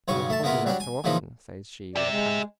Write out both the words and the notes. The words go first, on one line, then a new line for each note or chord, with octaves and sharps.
"You have told me that so often," says she, with a pout.
B1 G2 C#3 C#4 C#6
A3 A5
C#3 A#3 B3 E4 F4
F#3 G3 D4
G#5
A#2 C#3 E3 F3 D#4
G4 D5 E5
G#3